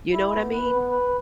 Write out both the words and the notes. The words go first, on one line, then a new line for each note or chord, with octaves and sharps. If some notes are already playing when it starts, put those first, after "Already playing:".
You know what I mean?
E4
B3
B4
B3
B4